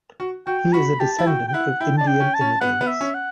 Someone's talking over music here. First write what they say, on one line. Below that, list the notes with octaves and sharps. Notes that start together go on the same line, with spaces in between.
He is a descendant of Indian immigrants.
F#4
F#4 G5
F#4 B5
G4 A5
E4
F#4 G5
G5
E4 F#5
E4 G5
D4 A5
G5
C#4
A5
C#4
B3 F#5
B3
E5
C#4
F#5